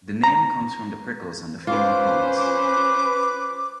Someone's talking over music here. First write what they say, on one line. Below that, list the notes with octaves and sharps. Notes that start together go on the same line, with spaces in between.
The name comes from the prickles on the female cones.
A#5
C#4 F4 B4 C5 D6
D6